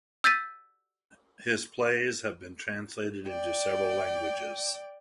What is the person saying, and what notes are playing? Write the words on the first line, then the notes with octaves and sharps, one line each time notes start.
His plays have been translated into several languages.
E6 G6 A6 B6 D#7
D5 G5